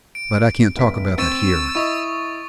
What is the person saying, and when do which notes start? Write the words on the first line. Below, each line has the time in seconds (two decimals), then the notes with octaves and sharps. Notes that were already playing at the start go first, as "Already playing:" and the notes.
But I can't talk about that here.
0.15 D7
0.77 F1 B6
1.18 C4 C#6 E6 A6 D#7
1.75 E4 D#5 C#6 D#6 A6